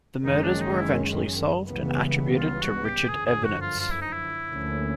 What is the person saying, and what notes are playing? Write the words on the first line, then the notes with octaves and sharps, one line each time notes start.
The murders were eventually solved and attributed to Richard Evonitz.
F#1 F#2 D#3 G#3 C#4 D#4
D4
D#4
E4
C#2 C#3 E3 G3 B3
F4
F#4
G4
G1 F#2 D3 F3 G#4
G#4
F#4
F4
F4
E4
D#4
E4
D2 D3 F3 A#3 C#4